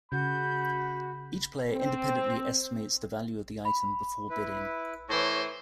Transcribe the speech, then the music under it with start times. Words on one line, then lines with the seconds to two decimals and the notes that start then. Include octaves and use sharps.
Each player independently estimates the value of the item before bidding.
0.12 C#3 F#4 B5 G6
1.71 C4
3.65 B5
4.30 E4 B4
5.09 A2 E3 C5 C#5